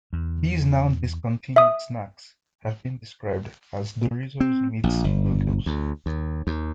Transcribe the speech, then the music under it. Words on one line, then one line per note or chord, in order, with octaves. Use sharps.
These now discontinued snacks have been described as "Doritos-meets-Bugles".
E2
E5 D#6
C4
A#1
G1
D2
D#2
D#2